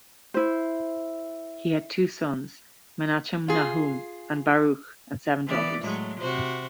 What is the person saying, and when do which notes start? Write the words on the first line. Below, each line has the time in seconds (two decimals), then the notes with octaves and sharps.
He had two sons, Menachem Nahum and Baruch, and seven daughters.
0.34 E4 C5
3.48 F4 G#4
5.46 E3 B3 D5
5.81 A2 F#3 G#3
6.19 C3 F#4 C5